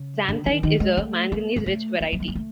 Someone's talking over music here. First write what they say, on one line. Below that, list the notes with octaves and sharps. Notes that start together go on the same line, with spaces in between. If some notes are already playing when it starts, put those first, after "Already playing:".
"Xanthite" is a manganese rich variety.
Already playing: C#3
D3
D#3
D#3
G#3
A3
A#3
A#3
A3
A#3
F#3
G3
G#3
A3